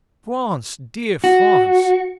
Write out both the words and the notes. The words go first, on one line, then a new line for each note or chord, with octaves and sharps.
France--dear France!
F#4